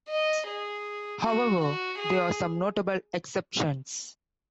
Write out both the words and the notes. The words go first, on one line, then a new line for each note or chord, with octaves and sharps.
However, there are some notable exceptions.
D#5
G#4
F#4
F#4
G#4